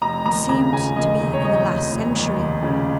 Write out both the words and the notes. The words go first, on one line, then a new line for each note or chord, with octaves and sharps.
It seemed to be in the last century.
F1 A#5
D#2 A#5
C#3 A#5
C#3 G#5
D#2 D#5
F1
C#5
F1 D#5
F1
F1
D#2
F1
C#3